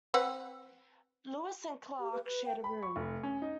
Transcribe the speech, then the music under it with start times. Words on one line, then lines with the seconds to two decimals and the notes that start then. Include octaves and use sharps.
Lewis and Clark shared a room.
0.14 C4 B4 F#5
1.99 G4
2.12 B4
2.24 B4
2.45 G5
2.64 B5
2.83 C#6
2.96 F1
3.23 C#4
3.42 D#4